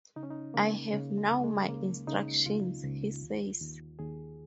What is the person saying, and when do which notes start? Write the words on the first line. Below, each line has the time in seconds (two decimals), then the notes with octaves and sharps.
"I have now my instructions," he says.
0.16 C#3 D#4
0.23 C#4
0.30 D#4
0.54 C#3 A#3
0.93 C#3
1.18 G#3
1.31 C#2
1.44 G#3
1.69 C#3 A#3
2.07 C#3 D#4
2.46 C#2 F4
2.84 C#2
3.23 D#2
3.61 D#2
3.99 D#2 G#4